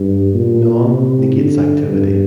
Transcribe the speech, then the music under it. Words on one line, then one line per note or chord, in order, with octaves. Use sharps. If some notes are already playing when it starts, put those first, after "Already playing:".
"Non" negates activity.
Already playing: G2
A#2
C3
D3
G2